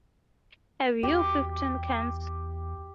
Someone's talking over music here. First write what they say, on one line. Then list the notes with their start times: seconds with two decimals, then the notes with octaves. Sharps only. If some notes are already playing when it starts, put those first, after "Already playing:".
Have you fifteen cans?
1.03 E2 G4